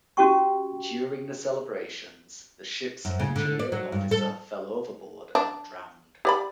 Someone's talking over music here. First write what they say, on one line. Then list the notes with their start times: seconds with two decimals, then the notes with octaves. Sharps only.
During the celebrations, the ship's engineering officer fell overboard and drowned.
0.17 C#4 F#4 G4 G5 C#6
3.05 F#2
3.20 C#3
3.36 D3
3.59 D5
3.72 F#3
3.92 G2
4.11 A4
5.35 D4
6.25 G4 D5 B5